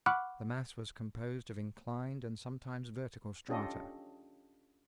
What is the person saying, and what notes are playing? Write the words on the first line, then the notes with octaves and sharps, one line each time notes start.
The mass was composed of inclined and sometimes vertical strata.
F#5 B5 C#6 D6 F6 F#6
C#4 D4 F4 G4 A4 D#5